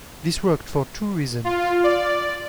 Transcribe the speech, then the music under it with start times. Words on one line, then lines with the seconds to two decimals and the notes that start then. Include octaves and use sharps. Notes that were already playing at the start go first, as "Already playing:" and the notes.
This worked for two reasons.
1.44 F4
1.84 D5